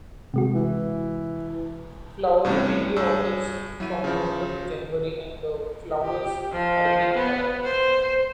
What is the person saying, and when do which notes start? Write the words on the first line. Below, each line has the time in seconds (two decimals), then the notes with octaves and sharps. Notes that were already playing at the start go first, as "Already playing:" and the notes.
Flowering mainly occurs from November to January and the flowers are creamy white.
0.34 C3 G#3 F#4
0.55 E3
2.45 G2 C3 E3 A3 C#4
2.96 G2 G#4 E6
3.80 F#3 E4 D#7
4.04 C#3 F3
6.01 G4
6.52 F3
7.15 B3
7.64 C5